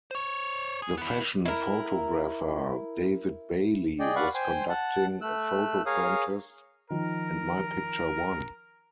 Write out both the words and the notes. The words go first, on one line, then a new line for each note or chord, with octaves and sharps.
The fashion photographer, David Bailey, was conducting a photo contest and my picture won.
C5 C#5
G#4
B3 E4
E4 A#4
G#4 D5 D#5 G5
B4 D5 F5 F#5 B5 C#6
C5 G5 G#5 C6
F#5 A5
A3 E6 F#6
G#4 A#4 C#5 F5 D#6
D#3 F3 A#4